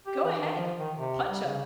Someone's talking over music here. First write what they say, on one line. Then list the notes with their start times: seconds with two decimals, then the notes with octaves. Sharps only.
go ahead, punch him,
0.07 G4
0.24 E3
0.41 D#3
0.57 F3
0.79 D#3
0.97 C3
1.29 G3
1.45 C#3